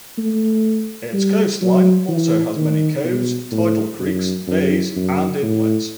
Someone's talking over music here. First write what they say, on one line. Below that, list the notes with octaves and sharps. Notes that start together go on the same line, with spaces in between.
Its coastline also has many coves, tidal creeks, bays and inlets.
A3
G3
F#3
E3
D#3
B2
A2
F#2
F#2
F#2
A2